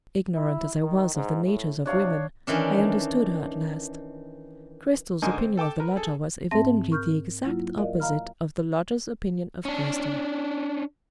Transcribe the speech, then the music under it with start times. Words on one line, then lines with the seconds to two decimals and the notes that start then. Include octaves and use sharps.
Ignorant as I was of the natures of women, I understood her at last. Cristel's opinion of the lodger was evidently the exact opposite of the lodger's opinion of Cristel.
0.35 E4
0.81 D#3
1.15 G#2
1.44 A2
1.86 C3 D4 C#5 F5
2.47 D#3 E3 C#4 D4
5.22 G#2 D3 A#4 D#5 G#5 C6
5.38 C4
5.57 A4 G5 A5 D6
5.80 A#4 B4
5.96 G#4 A4
6.51 G#2 C4 E5 A5 A#6
6.90 A#4 B5 C#6 F6 G6
7.45 F#3 A#3 E4 F4
7.78 F#4 A#4 D5 D#5 F5
8.00 D#5 F5 A#5 B5 F6
9.65 C#4 D4